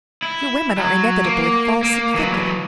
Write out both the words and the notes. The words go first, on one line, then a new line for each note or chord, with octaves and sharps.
Your women are inevitably false and fickle.
E4
F#3
A#3
A#3
E3 F#3